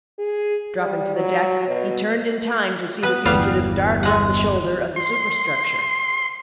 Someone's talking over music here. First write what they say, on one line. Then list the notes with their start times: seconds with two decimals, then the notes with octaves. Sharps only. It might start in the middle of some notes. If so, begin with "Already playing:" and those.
Dropping to the deck, he turned in time to see the fugitive dart round the shoulder of the superstructure.
0.19 G#4
0.80 G3
1.15 F#3
1.67 B2
3.03 B3 B4
3.25 G1 E2 G3 B3 F5
4.03 G#3 F#5
4.96 C6